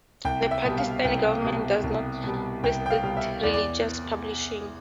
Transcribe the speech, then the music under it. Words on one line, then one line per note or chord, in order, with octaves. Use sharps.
The Pakistani government does not restrict religious publishing.
C2 G5
E5
B2 G3
F5
C2 G5
B2 G3
C2
B2 G3
C2 G5
G5
F5
B2 G3
E5
E2 D5
D5